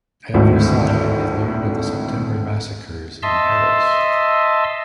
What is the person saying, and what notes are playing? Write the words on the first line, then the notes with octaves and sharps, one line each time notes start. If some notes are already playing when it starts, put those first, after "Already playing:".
At Versailles, they learned of the September Massacres in Paris.
G#1 D2 A2
D#5 E5 A5 C6 E6